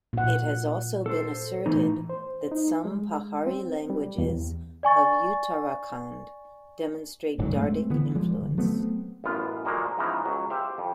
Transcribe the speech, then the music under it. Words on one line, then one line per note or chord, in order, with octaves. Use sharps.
It has also been asserted that some Pahari languages of Uttarakhand demonstrate Dardic influence.
A#2 F#5
A4 C5
A2 E3 D#4
C5
D#4
G#3
C4
G3
E2
D5 G#5 C#6 A6
D#1 G#2 D3 F#3
G#3 A3 C4
D3 E3 B3
F3 G3 G#3
D3
F#3 A3 B3 C4
A1 F#2 B3 F4
A#2 D3 F3 F#3 G#3 A#3
G#2 C#3 E3 F3 B3 A#5
C#2 F#3
G4 C5 E5 F5
F2